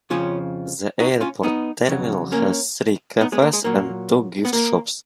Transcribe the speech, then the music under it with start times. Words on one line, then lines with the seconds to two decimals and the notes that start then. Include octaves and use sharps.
The airport terminal has three cafes and two gift shops.
0.10 F2 C#3 F3 C#4 F4
1.00 D#4 F#4
1.21 C#4 F4
1.43 B3 D#4
1.88 F2 C#3 F#3
2.32 A#3 C#4
3.21 B3 D#4
3.32 G#3 B3
3.42 A#3
3.53 G#3
3.64 A#2 F#3 A#3
4.45 B3
4.53 A#3